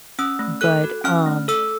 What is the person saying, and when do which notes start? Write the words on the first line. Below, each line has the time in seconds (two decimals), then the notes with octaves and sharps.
But, um,
0.19 C#4 E6
0.39 A3
0.61 A4 F#6
0.84 F#4
1.04 C#4 F6
1.26 A3
1.48 A4 E6